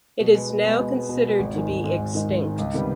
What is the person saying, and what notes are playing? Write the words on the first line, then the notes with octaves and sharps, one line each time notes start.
It is now considered to be extinct.
B2
G#3 B3
B2
G#3 B3
B2
G#3 B3
B2
G#3 B3
G#1
G#2 D#3 G#3
G#1
G#2 D#3 G#3
G#1
G#2 D#3 G#3
G#1
G#2 D#3 G#3
C#2
C3 D#3 G3 B3